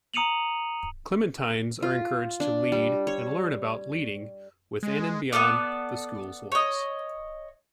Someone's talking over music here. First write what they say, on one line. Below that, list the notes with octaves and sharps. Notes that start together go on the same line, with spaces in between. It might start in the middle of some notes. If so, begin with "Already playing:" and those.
Clementines are encouraged to lead-and learn about leading-within and beyond the School's walls.
A#5 D#6 C#7 D#7 F7 F#7
F4
D4
G3
C#5
G#3
B3 D4 A4 D5
C#5 D#5